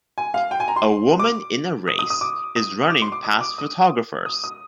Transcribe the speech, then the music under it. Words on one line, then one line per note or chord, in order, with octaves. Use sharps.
A woman in a race is running past photographers.
G#5
F5
G5
G#5
A#5
C6
D6
D#6
D#6
D#6
D6
D#6
D6
C6
D6
D#6
D6
D#6
D#6
D#6